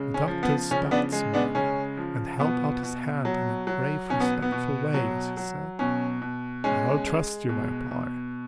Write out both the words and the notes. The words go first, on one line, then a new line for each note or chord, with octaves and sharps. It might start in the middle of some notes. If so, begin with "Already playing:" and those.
The doctor stopped smiling, and held out his hand in a grave, respectful way, as he said, 'I'll trust you, my boy.
Already playing: C#3 G#3
C#4
F3
B3
C#3 C#4
B3 D4
G#3
B3 D4
C#3 C#4
F3
B2 B3
B2
F#3
F#3
B2 C#4
B3
B3
B2
F#3
F#3
B2 C#4
B2
G#3 C#4
G#3
B2
B2